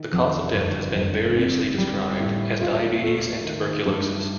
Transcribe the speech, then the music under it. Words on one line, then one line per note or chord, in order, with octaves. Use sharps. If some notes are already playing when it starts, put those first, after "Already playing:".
The cause of death has been variously described as diabetes and tuberculosis.
Already playing: D#3
F2
G1
G1
C4
G3
A2
F4
A3
D#3
G2